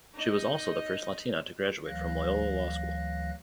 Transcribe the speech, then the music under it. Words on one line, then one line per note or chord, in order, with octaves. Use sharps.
She was also the first Latina to graduate from Loyola Law School.
D#4 D#5
D2 E3 F#3 F5 F#6 A#6